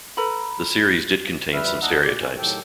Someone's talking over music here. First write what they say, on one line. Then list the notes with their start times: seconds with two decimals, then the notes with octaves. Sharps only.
The series did contain some stereotypes.
0.17 A4 B4 A#5 B5
1.53 F2 G3 B4 E5 F6
1.82 D#2 D4 D#5 F#5 A#5 E6
2.03 A#2 D5
2.20 C#4
2.38 A2 D#3 F#3 G4 A4 G5